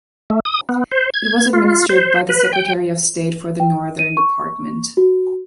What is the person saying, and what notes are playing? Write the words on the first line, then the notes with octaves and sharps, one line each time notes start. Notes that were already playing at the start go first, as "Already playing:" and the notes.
It was administered by the Secretary of State for the Northern Department.
A3
D#6
B3
C5
G#6
F4
C5
B4
G5
G5
D#7
C#6
F#4